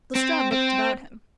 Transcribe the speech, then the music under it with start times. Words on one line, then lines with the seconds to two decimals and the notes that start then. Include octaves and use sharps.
Lestrade looked about him.
0.16 C4
0.52 C4